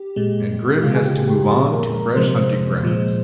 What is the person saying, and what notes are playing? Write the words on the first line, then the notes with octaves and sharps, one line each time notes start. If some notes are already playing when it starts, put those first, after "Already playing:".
And Grim has to move on to fresh hunting-grounds.
Already playing: G4
A#2 G#3
C#3 G#3 F4
G#4
G4
G4
A#2 F3 G#3 G#4
A#4
A#4
C3 F3 G#3 C5
A#2 F3 G#3